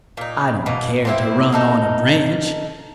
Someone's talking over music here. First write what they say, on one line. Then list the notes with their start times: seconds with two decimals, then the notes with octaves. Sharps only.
I don't care to run on a branch.
0.17 A#2 D#4
0.66 B2 A#3
1.05 A#2 C4 E4
1.52 D#4 A4 A#4